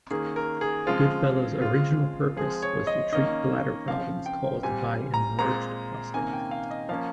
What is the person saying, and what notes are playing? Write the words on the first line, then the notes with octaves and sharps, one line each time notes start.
Goodfellow's original purpose was to treat bladder problems caused by an enlarged prostate.
D#3 A#3 C#4 G#4
A#4
G#4
C#3 F3 G#3 C4 F4
C#3 G#3 C4 F4
F3 G#3 C4 G#4
C#5
D#5
D#3 A#3 C#4 D#5
C#3 F3 C4 F5
G5
A#2 G3 C4 G#5
A#5
A#2 G#3 C4 A#5
C3 D#3 A#3 C#4 G#5
G5
F5
D#5
F3 A#3 C#4 F5